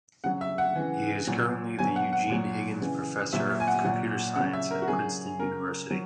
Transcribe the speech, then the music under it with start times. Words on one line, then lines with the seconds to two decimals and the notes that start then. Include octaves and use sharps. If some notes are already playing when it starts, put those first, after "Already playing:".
He is currently the Eugene Higgins Professor of Computer Science at Princeton University.
0.24 C#3 F#3 F#5
0.41 E5
0.58 F#5
0.76 C#3 E3
1.27 A#2 F#3
1.79 B2 F#3 G#5
1.96 F#5
2.13 F#5
2.30 A#2 F#3
2.82 C#3 E3
3.33 A#2 F#3 E5
3.50 E5
3.60 G#5
3.67 F#5
3.85 A#2 F#3 F#5
4.36 C#3 F#3 F#5
4.53 E5
4.71 A#4
4.82 F#4
4.88 C#3 F#3 G#4
5.39 C#3 F#3 A#4
5.91 F#3